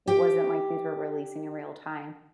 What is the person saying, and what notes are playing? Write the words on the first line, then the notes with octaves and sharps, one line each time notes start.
it wasn't like these were releasing in real time.
G4 G5